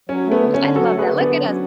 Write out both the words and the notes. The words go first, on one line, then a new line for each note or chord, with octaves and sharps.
I love that. Look at us.
F#3 C#4
A3
B3
D3
D3 C#4
F#3 F#4 A4
A3
G#4 B4
D3
B3 D4
D3
F#3 C#4